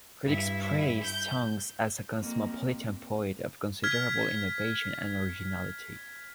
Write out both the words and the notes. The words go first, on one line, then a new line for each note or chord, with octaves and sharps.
Critics praised Tonks as a cosmopolitan poet of considerable innovation and originality.
G2 E4
G6
F2 A#3
F6 G#6 B6